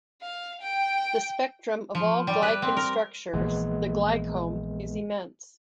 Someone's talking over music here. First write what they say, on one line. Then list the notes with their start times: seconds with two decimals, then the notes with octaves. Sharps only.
The spectrum of all glycan structures - the glycome - is immense.
0.22 F5
0.61 G5
1.95 F3
2.27 G3
2.43 B4
2.62 C4
2.77 A#4
3.33 A#1 E3 G#3 A#3 B3